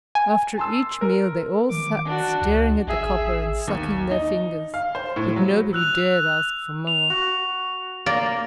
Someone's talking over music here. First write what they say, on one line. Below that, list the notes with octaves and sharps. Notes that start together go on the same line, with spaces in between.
After each meal they all sat staring at the copper and sucking their fingers, but nobody dared ask for more.
G#5
A5 C6 E6
A#4
D#3 D6
D4 F#4
C#2
A1 G#4 E5
D#2
D#4
F5
C5
A2
F#3
E6 F#6 F7
F7
F#4
A#3 D5